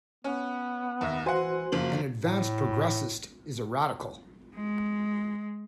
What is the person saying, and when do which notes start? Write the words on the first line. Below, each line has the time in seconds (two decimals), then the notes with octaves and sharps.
An advanced progressist is a radical.
0.24 B3 C#4
1.01 D#2 E5 A#6
1.26 E3 F#4 C5 F#5 G#5 C6
1.72 F#1 F3 A#3 F#7
2.23 A2
4.53 G#3